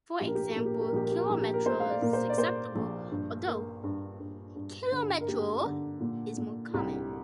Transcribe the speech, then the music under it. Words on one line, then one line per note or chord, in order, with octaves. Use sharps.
For example, "kilometro" is acceptable, although "kilometro" is more common.
A#1 G4
A#4
G4
A#4
G4
A#2 A#4
G4
A#4
G4
A#4
A#1 G4
A#4
G4
A#4
G4
A#1 A#4
G4
A#4
A#2 C5
F5
D5
A#2 A#4
C5
D5
A#3 C5
A#1
G2
A#3
G2
G2
G2
D3
A#4
A#3 G4
D3
A#2
A#2
C2 G4